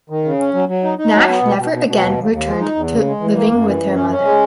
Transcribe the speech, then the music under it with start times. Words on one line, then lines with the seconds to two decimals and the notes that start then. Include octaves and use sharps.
Nash never again returned to living with her mother.
0.10 D#3
0.24 C#3
0.39 C#4
0.54 F#3
0.69 F#3
0.83 D#4
0.98 D#4
1.13 F#3
1.28 B3
1.42 B2
1.58 B2
1.72 B2
1.87 B2
2.02 D#2
2.18 D#2
2.31 D#2
2.46 G#3
2.61 D#4
2.76 E2
2.92 C#3
3.06 G#3
3.20 E3
3.36 A#3
3.51 F#2
3.66 E3
3.80 F#2
3.95 C#4
4.10 C#4
4.25 G#3